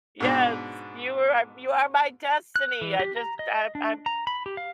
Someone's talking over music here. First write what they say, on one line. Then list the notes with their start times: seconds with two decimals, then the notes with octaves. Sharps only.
Yes, you are you are my destiny. I just, I'm I'm
0.20 G#2 B2 D4
2.56 F#6
2.81 E3
2.99 G4
3.16 A#5
3.39 D#5
3.75 D4
4.06 A#5
4.27 B5
4.46 G4
4.57 F5